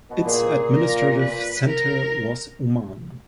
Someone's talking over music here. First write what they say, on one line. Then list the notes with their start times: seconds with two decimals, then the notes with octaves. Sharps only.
Its administrative centre was Uman.
0.10 B2
0.25 A#2 G#4
0.72 A#4
1.19 B4
1.66 A#4